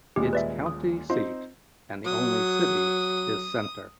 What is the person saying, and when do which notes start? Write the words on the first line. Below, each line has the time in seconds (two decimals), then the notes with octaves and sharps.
Its county seat and only city is Center.
0.16 D#1 A#2 G#3 G4
0.33 B4 D5 E5
0.66 D#6
1.10 C4 D#4 F4 C5
2.06 F#3 D#6